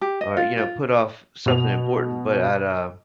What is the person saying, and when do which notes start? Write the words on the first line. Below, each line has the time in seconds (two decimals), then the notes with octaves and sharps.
or, you know, put off something important, but I'd, uh
0.01 G4
0.21 D#5
0.37 F4
0.58 F4
1.46 B2 F7